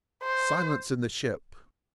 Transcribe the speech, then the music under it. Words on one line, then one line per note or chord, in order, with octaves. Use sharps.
"Silence in the ship!"
C5